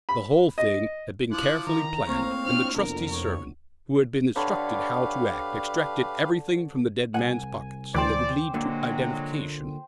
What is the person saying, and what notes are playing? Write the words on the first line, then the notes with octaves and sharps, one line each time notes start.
The whole thing had been carefully planned, and the trusty servant, who had been instructed how to act, extracted everything from the dead man's pockets that would lead to identification.
B5
D#5
F3 E4 D6 F#6
D#3 A#5
A3 A#3 C4 C#5 F5 C#6
D4 E4 F4 F6
F2 C3 B3 D4 A#4
C#5
D3 G4 B4 C#5 F5 B5
C2 F#2 F#5 G#5
D2 E3 C5 D5 G5 D6
A#2 D3 F#3 G#3